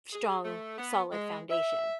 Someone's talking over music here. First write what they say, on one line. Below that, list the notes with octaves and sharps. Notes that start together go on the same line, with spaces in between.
strong, solid foundation.
G#4
A3
B3
G#3
E5